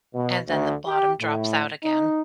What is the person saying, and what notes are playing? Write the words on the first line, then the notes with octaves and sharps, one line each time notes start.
and then the bottom drops out again.
B2
D2
G4
A2
D#4